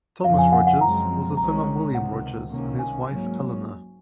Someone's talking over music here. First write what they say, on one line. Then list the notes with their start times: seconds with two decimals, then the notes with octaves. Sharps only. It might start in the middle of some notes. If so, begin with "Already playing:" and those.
Thomas Rogers was a son of William Rogers and his wife Eleanor.
0.24 F2 C#3 F3 F5
0.38 G#5
0.52 F#5
0.67 F#5
0.81 F#2 F3 G#3 C4 A#5
1.37 C2 C3 D#3 G#3 C#4 A#5
1.94 C#2 C3 D#3 F#5
2.51 C2 C3 D#3 A#3 C#4
2.79 G#5
3.07 G#2 F#3 A#3 C#4